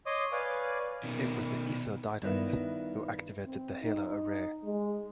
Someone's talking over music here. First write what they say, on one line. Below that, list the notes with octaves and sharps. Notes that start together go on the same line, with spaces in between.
It was the IsoDidact who activated the Halo Array.
C#5 D#5 C6 D6 D#6
B4 C#5 D5 F5 G#5 D6
B2 D#3
G2 D#3 B3 E4
C4
D#4
G#3